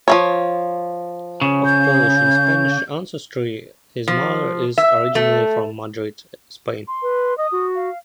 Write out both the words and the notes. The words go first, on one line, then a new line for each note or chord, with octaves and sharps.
Of Polish and Spanish ancestry, his mother is originally from Madrid, Spain.
F3 A#3 C#5
C#3
G6
F3
E5
A3
C6
B4
D#5 D#6
F#4
F5